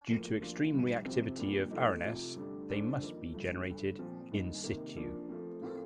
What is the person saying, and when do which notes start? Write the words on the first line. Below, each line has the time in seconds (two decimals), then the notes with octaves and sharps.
Due to extreme reactivity of arynes they must be generated "in situ".
0.08 A2 F3 A#3
0.40 F3 A#3 D4 F4
0.73 G2 D#3 G3
1.05 C3 F3 C4 G4
1.38 A#2 G3 A#3 D4
1.71 A2 F3 A3 D#4
2.03 F2 C3 F3
2.36 G2 D3 A3 D4 G4
2.69 D3 G3 D4 A4 C5
3.01 F2 D#3 A#3 D#4
3.33 G2 D3 F3 A3
3.66 G2 D3 A3
3.99 A#2 F3 C4
4.31 G2 D#3 A#3 D#4
4.64 C3 D#3 A#3
4.96 F3 A#3 D4
5.29 F3 A3 C4
5.61 A2 A3 C4 F4 A#4